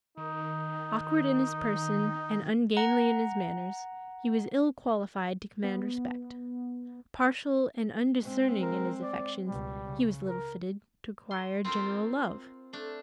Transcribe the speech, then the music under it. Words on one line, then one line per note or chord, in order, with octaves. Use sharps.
Awkward in his person, and ungainly in his manners, he was ill qualified to command respect; partial and undiscerning in his affections, he was little fitted to acquire general love.
D#3 D#4
F#5 A#5
B3
G#3 C4
A#4
D5
C#2 B2 G3
C#3
A#4
C6
C4 F4 A#4 C5
A3 D4